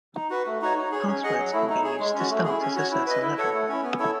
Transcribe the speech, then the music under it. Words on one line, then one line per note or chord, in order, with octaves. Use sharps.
Passwords can be used to start at a certain level.
D#4
F#4 B4
A3
D#4 F#4 C#5
D#4
G#4 C#5
C#4
G#4 D#5 F#5
F#3
A3 E4
D#4
G#4 C#5
G#3
C#4
F#4
A3
E4 G#4
C#4
F#4 C#5
E4
B4 D#5
E4
A4 C#5 F#5
A3
C#4 E4
B3
E4 A4 C#5